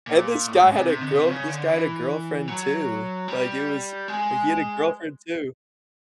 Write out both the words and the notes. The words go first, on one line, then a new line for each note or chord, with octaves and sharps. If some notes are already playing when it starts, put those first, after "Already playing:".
And this guy had a girl this guy had a girlfriend too. Like, it was like, he had a girlfriend too.
A#2
A2
G#2
C3
C3
D3
C3
C#3
D3
E3
F#3
G3
G#3